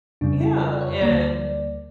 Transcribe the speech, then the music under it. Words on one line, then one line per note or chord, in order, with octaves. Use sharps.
Yeah, and
F2 C#3 G3 D4
E4
F4
C#5
D2 D3 G3 A#3 D5